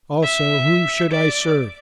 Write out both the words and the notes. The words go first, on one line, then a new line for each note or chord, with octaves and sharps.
Also whom should I serve?
E5
D5